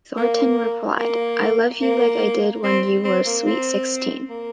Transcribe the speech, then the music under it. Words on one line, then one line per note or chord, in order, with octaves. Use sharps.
Thornton replied, I love you like I did when you were sweet sixteen.
A#3
A#3
A#3
C4
C4
A#3
C4
A#3